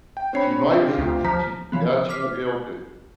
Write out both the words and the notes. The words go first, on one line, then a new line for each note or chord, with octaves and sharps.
She might be she yeah, she might be able to.
G5
C4 D4 C5 C#5 B5 C7
F4 G4
D2
F3 A#5 F6 B6
C#3 E3 F3 B3
D6 F6 B6 C7